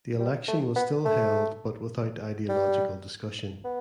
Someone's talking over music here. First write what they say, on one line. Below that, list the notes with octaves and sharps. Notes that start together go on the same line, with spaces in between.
The election was still held but without ideological discussion.
G3
A3
B3
A3
G3
B3